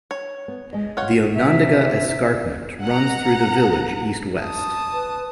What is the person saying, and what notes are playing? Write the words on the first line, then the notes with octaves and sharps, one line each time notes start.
The Onondaga Escarpment runs through the village east-west.
C#5
B3
G#3 D#5
F4 C#5 F#5
C3 E5
F#5 A#5
A5 D#6
B4